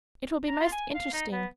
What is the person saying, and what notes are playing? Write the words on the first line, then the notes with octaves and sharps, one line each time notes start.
It will be most interesting.
A#5
F4
G#5
F5
D#4
B3